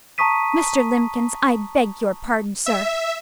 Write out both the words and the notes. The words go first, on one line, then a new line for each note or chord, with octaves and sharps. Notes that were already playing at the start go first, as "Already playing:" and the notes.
'Mr. Limbkins, I beg your pardon, sir!
A5 A#5 C#6 D#6 B6 D#7
E5